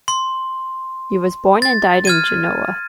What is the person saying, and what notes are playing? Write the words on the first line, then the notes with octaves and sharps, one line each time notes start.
He was born and died in Genoa.
C6
A6
F6 G#6 D#7